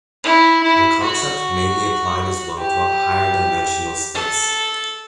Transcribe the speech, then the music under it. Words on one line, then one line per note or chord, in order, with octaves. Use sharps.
The concept may be applied as well to a higher-dimensional space.
E4
E4
F#4
G4
A4